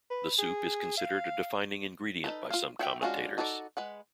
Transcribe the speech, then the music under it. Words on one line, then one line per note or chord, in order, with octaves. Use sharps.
The soup is considered a defining ingredient by some commentators.
B4
G#4
F5
D#4 A4 B4
F4 F5
F#4 E5 G5
G#3 C#4 D4 F4 F#4
D#4 F#4 A4 C#5 D5
G#3 B4 F#5